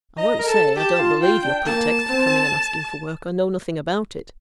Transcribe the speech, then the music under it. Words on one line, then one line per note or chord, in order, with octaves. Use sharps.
I won't say, I don't believe your pretext for coming and asking for work; I know nothing about it.
D#5 A#5
A#4
A4 A5
G4 A5
F4
F4 G5
D4
A#3 A5
C4